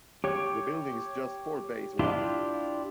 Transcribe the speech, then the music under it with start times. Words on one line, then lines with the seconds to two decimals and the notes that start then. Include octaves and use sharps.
The building is just four bays wide.
0.24 G4 C#5
1.99 D4 E4 F4 G4